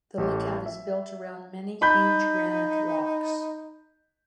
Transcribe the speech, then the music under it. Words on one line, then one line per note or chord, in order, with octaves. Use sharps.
The lookout is built around many huge granite rocks.
A1 G4 C#5
E5
D#4 B5 G6